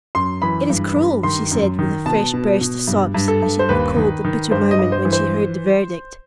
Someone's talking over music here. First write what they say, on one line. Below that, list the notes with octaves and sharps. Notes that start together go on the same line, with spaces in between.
"It is cruel!" she said with a fresh burst of sobs, as she recalled the bitter moment when she heard the verdict.
F#2 C6
E3 B5
G2
G2
D#3 C6
F#2
D#3
B2 A5
B2
B2
G2
G2
A4
G2
C5
D#2 B4
D#3
D#3
G2 C5
D#5
G2
C5
E3
C5